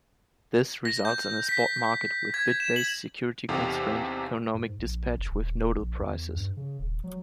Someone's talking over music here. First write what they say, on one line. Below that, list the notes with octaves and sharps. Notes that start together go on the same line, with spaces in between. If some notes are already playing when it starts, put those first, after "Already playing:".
This results in a spot market with "bid-based, security-constrained, economic dispatch with nodal prices".
A#6
G6
B6
G#6
E7
F#7
E2 C3 D#4 G4 A4 F5
G#2
A#1
F#1
D#1
A#1
E2
G2
C#3
D#1
F#3